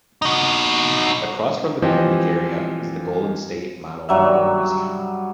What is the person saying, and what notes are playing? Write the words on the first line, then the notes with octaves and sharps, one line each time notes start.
Across from the picnic area is the Golden State Model Railroad Museum.
D#4 F#4
E3 F3 C4 G4 D#5
G2 F#3 E5